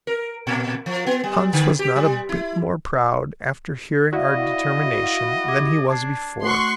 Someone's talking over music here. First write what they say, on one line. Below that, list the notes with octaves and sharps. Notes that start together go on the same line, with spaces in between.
Hans was not a bit more proud after hearing our determination than he was before.
A#4
A#2
F3
B3
G3
D3
G4
G3
E4
E4 F#4 D5 D#5 F5
F5
G4 D6 G#6
D4 A5 G#6 C7
A3 F#4 F#5 C6 C#6 F#6